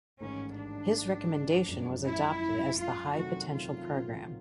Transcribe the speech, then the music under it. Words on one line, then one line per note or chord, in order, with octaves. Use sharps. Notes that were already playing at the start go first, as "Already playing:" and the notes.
His recommendation was adopted as the High Potential Program.
A1 G#2 D#3 C#4
D4
F#1 F#2 D3 F3 G#3
E4
F4
C3 D#3 F#3 A3 C4 F#4
F4